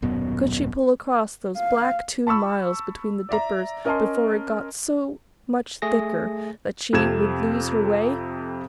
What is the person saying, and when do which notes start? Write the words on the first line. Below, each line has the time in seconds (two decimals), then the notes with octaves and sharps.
Could she pull across those black two miles between the Dippers before it got so much thicker that she would lose her way?
0.02 D#1 F#2 B2 B3
1.57 F5
2.27 A5 B5 C#6 E6
3.29 D5 E5 A#5
3.85 C#4 A#4 D#5 G#5 A5 C6
5.82 A3 G#4 A#6
6.93 F2 C3 A4 G#6 E7